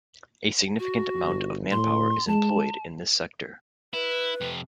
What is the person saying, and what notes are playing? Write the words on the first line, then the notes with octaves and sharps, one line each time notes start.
A significant amount of manpower is employed in this sector.
F#4
G1
A2 C6
G#3 A5
E4 B4
F2 C3